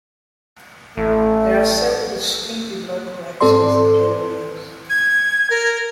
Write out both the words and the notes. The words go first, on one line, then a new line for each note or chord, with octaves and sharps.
There are several distinctive local accents of Genoese.
A1 A3
G#2 C4 A4 C5 D5 C6
G#6
A#4